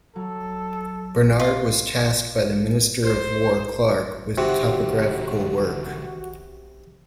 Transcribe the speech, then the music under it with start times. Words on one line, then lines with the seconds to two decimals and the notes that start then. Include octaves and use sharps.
Bernard was tasked by the minister of war Clarke with topographical work.
0.16 F#3 A4
1.39 F4
3.03 C5
4.38 C#2 C3 D#3 F#4